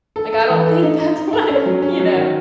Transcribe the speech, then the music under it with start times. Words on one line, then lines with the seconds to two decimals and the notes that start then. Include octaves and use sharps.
Like, I don't think that's what you know?
0.16 A4
0.33 A4
0.50 E3
0.66 A4
0.82 D#4
1.00 D#4
1.16 D#4
1.33 A4
1.50 C#4
1.66 F#3
1.82 C#4
1.99 F#3
2.16 D#3